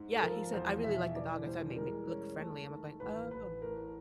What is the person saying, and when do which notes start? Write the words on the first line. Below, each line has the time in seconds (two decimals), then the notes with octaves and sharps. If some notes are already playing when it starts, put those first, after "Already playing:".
Yeah, he said, "I really like the dog, I thought it made me look friendly." I'm like, "Oh, ok"
Already playing: G#2
0.15 A4
0.22 F3 A#4
0.53 E2 C5
0.84 B2 E5
1.15 E3 D5
1.46 G3 C5
1.76 G#3 A#4
2.08 C#4
2.38 A3
2.70 D#3
3.00 A1 B4
3.31 A1 B4
3.62 A2 A#4